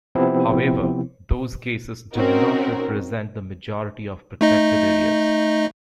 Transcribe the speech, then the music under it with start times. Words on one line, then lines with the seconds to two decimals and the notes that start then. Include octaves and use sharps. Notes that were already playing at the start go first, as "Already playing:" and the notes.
However, those cases do not represent the majority of protected areas.
0.15 C3 F3 B3 C4 E4
2.15 C4 C#4 D#4 F#4 A#4
4.41 A3 D#4 D#5